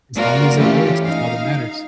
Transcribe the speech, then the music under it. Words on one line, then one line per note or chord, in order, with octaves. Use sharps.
As long as it works, that's all that matters.
A#3 F4 F#4 A#4 D5
E3 A3 C#4 F4 G4
D#4 F5